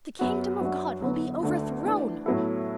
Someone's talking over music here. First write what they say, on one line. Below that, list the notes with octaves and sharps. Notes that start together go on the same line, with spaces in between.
The kingdom of God will be overthrown...
F#2 F#3 B3 F#4
F#2 F#3 D4 F#4
E2 D3 F#3 B3 F#4
D2 D3 A3 D4
E3 A3 D4
A2 F#3 B3 E4 A4